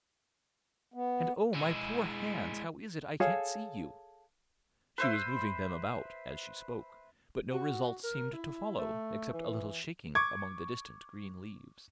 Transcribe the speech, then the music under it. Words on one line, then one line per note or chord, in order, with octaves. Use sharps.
And oh, my poor hands, how is it I can't see you?' She was moving them about as she spoke, but no result seemed to follow, except a little shaking among the distant green leaves.
B3
G#3 E4
G#4 A4 C#5 F5
B4 C5 E5
F#4
A#4
E4
A3
E3
C#6 D6 G#6